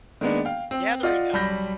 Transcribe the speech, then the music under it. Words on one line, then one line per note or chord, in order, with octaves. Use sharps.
Gathering um
D#3 G#3 A#3 B3 D4
F5 G5
C4
F4 D5 D#5 F#5
B1 G3 B5 G6 A#6